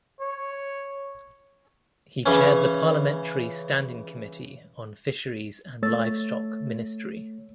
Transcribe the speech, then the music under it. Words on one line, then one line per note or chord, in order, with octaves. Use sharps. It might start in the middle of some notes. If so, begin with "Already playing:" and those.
He chaired the parliamentary standing committee on fisheries and livestock ministry.
C#5
C#3 E3 C#4
A3 C#5 E6 A6